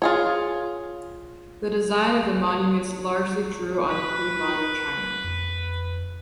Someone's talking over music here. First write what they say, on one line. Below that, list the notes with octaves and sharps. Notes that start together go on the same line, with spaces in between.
The design of the monuments largely drew on premodern China.
F4 G#4 C#5
B4
F2